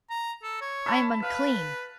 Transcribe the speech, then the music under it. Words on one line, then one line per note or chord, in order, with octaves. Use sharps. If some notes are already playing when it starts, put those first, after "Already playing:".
I am unclean!
A#5
A4
C#5
E5 A5 B5
B4 F5